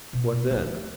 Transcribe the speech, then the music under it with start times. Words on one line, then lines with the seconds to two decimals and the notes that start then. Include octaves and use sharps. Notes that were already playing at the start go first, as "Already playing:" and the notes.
"What then?"
0.13 B2
0.51 F3 A3